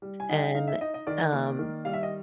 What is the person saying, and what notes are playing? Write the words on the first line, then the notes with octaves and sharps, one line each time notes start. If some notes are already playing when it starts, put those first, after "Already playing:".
and, um,
G3
G#5
D#4 F#5
G5
D#4 F5
E5
D#4 D#5
D#5
D#3 D5
A#3
D#3
G3 F5
E5
D#5